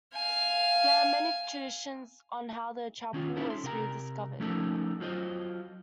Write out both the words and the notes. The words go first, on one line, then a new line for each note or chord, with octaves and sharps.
There are many traditions on how the chapel was rediscovered.
F5 G#5
D#3 C#4 D#4 F4
C#4 D#4 E4 A4 C5
C6
C3 A#4 F5 A#5
F3 A3 C#4 D#4 A4 A#4
F#3 F4 C5 D#5